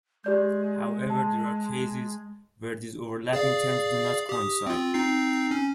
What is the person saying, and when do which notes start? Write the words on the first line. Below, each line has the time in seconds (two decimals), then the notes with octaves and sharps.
However, there are cases where these overlapping terms do not coincide.
0.24 G#3 G4 D5 G6
1.10 A5
3.33 G#4 D5 F5
4.29 G4 D#6
4.66 C4 F4
4.94 C4 D#4 C7
5.51 C#4